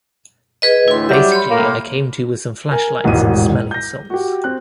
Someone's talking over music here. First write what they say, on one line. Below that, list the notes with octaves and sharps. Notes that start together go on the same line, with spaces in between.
Basically, I came to with some flashlights and smelling salts.
G#4 B4 D#5
D2 A2 E3 E4 C6
F#3 G3 E5 D6
C#5 B5 C6
A2 A#3
A#4 G#5
E1 A1 G#2 D#3 D#7
G6 A#6
F#4 G4
C4 F#6